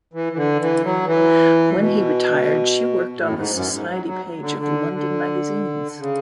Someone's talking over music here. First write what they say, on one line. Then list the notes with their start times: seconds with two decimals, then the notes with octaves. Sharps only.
When he retired she worked on the society page of London magazines.
0.13 E3
0.33 E3
0.36 D3
0.61 E3
0.84 F#3
1.07 E3
1.77 B2
3.18 A2
3.29 F#2
3.36 G#2
3.53 F#2
3.70 G#2
3.88 F#3
4.06 F#3
4.41 D3
4.58 D3
4.93 D3
5.99 C#3